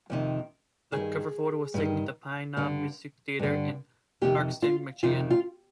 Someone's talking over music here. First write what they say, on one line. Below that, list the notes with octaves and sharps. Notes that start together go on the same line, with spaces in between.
The cover photo was taken at the Pine Knob Music Theater in Clarkston, Michigan.
F2 C3 D#3
G2 D#3 G#4
G2 D#3
G2 D3
G2 D3
F2 C3 D#3 G4
F4
F2 C3 D#3 F4
F4